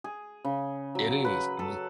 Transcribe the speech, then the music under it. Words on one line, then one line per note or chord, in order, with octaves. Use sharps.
it is, and l
G#4
C#3
F#3
B4
A4